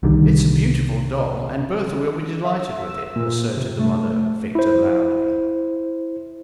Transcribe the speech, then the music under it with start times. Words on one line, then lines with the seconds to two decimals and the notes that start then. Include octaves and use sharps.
"It's a beautiful doll, and Bertha will be delighted with it," asserted the mother of Victor loudly.
0.03 C2 D3 D#3 G3
2.45 E5
2.88 E6
3.16 A#2
3.57 C3
3.79 A3
4.55 E4 C5